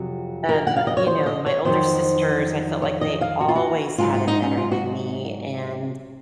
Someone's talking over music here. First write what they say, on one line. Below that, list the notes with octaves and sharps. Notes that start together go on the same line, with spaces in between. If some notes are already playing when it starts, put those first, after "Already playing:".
um, you know, my older sisters, I felt like they always had it better than me, and
Already playing: F2 C3 F#3
A#4
F#5
F5
D#5
C#5
C5
D#5
C#5
F2 D#3 F#3 C5
C#5
D#5
F5
F#4
F4
F#4
G#2 F#3 F4
F4
D#4
C#4
F4
F#4